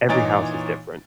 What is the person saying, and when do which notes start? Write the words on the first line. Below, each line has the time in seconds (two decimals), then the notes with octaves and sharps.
every house is different,
0.09 A#2 E3 D#4 C#5 A6 D7